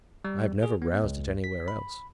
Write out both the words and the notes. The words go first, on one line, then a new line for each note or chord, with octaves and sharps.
I have never roused it anywhere else.
G3
G#4
B3
C#2
B6
B5